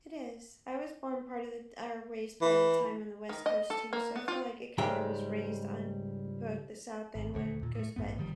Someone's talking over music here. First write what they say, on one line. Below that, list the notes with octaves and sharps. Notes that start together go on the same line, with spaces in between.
It is. I was born part of the t or raised part of the time on the West Coast too, so I feel like it kinda was raised on b both the South and West Coast, but,
E3
D#3
D#5
A4
A#3
B3
F4
C#2 G#2 G3 G#3 E5 G5
G#1
D#1 D2 A3
D#2 A#2
A2 A3
A1 G2 A3 B3
G1 D#3 F3 G3